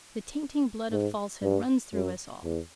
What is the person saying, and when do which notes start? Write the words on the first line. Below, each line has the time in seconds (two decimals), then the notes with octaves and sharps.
The tainting blood of falsehood runs through us all.
0.92 G#2
1.42 G2
1.93 F#2
2.44 E2